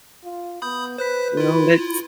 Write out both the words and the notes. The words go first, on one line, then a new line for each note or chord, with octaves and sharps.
Well, let's
F4
B3 B5 D#6 G6
B4 C5 F#6 B6
E4 F4